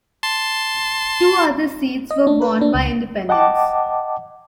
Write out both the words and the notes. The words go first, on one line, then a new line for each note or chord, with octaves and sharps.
Two other seats were won by independents.
A5 C6
D#5
D4
B4
D4
C#2
D#5 F#5 G5 A5 D6